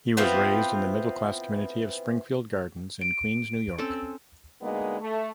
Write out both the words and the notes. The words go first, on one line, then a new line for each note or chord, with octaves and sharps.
He was raised in the middle-class community of Springfield Gardens, in Queens, New York.
E3 B3 C4 F4
D7
C4 C#4 A4
D2 D3 G#3 A#3 B3 D#4
A3